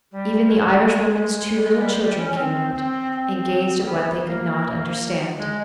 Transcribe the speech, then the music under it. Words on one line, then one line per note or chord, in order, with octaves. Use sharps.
Even the Irishwoman's two little children came out and gazed at what they could not understand.
G3
G#3
G3
G#3
G3
G3
C#4
C#4
C4
C4
C4
A#3
B3
A#3
G#3